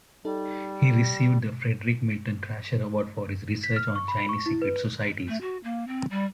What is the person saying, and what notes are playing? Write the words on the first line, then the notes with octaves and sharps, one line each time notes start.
He received the Frederic Milton Thrasher Award for his research on Chinese secret societies.
G3 D#4 A4
B6
F6
C#6
B5
C#6
E4
B4
A3
F#4
A#3
C4
G3